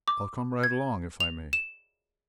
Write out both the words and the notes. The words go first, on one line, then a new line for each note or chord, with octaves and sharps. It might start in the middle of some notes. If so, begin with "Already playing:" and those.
"I'll come right along if I may."
D6
G#6
F7
E7